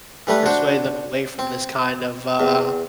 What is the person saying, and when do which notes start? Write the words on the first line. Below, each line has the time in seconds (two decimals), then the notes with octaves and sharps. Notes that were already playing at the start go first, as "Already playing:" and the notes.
Persuade them away from this kind of, uh
0.27 E3 G3 A3 B4
0.46 D4 F#4 C5
1.39 C4
2.40 E2